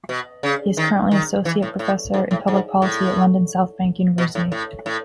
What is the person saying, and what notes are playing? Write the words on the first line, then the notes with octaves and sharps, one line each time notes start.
He is currently Associate Professor in Public Policy at London South Bank University.
B2
C#3
D#3
D#3
E3
A2
A2
G#2
A2
G#2
A2
B2
A2
A2
A2